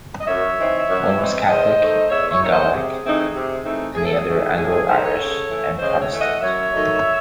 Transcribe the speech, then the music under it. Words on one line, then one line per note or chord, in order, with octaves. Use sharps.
One was Catholic and Gaelic, the other Anglo-Irish and Protestant.
D#5
F#2 C#5 E5
E3 C4 D#4
F#2
E3 C4 D#4
E2 C5 D#5
D#3 A3 D#4
E2 C#5 E5
C#5 E5
D#3 A3 D#4 C#5
C5 D#5
C3 G#4
E3 A3 C4 D#4
C3
E3 A3 C4 D#4
A2 G#4
A4
G#4
E3 A3 D#4
A2 G#4
G#4
E3 A3 D#4 G#4 C5
A4 C#5
C#3
E3 A3
C#3 C5 D#5
C#5 E5
E3 A3
D#5 F#5
F#2 C#5 E5
D#3 F#3 A3 D#4